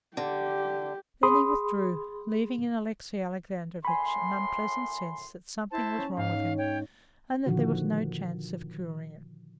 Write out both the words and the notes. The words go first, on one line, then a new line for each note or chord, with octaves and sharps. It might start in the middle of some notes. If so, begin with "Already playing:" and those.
Then he withdrew, leaving in Alexey Alexandrovitch an unpleasant sense that something was wrong with him, and that there was no chance of curing it.
D3 G4
G#4 B5 C6 D#6
F#2 A2 G#5 B5 C6
E4 C5 A5
C#4
G#2 F5
C#5 G5
A#2 D3 D#3 F3 F#4